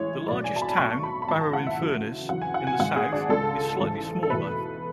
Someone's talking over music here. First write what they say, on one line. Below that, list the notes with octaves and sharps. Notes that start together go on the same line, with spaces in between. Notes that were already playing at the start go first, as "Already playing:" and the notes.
The largest town, Barrow-in-Furness, in the south, is slightly smaller.
Already playing: A1 A2 G#3 C#5
B1 B2 F#3 A3 D5
G#5
A5
B5
B1 B2 F#3 A3 C#6
A5
B5
B5
G#1 G#2 E3 A5
A5
F#5
E5
E2 C#3 F#3 A3
E2 C#3 F#3 F#5
G#5
F#5
G#5
G#1 G#2 G#3 F#5
G#4
D4
C#2 C#3 G#3 A4
A1 G#2 G#3
A4
E2 B2 A3 B4